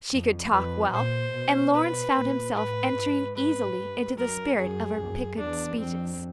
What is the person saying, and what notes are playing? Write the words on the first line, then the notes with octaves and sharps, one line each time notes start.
She could talk well, and Lawrence found himself entering easily into the spirit of her piquant speeches.
F2
F2 B4
A#2 C5
B2
B4
A#2
A2 B4
G#2
B4
G2
F#2 A#4
F#2 G#4
F#2
E2 D4
F2 C4